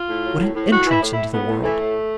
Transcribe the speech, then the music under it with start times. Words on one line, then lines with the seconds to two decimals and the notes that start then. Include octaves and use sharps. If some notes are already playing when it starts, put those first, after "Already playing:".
What an entrance into the world!
Already playing: F4
0.09 A2
0.24 F#3
0.39 A2
0.54 A2
0.71 A2 F#4
0.86 E3
0.91 E4
1.02 A2
1.12 A2 E4
1.33 A2 B3
1.48 A2
1.63 E3 A3
1.79 A2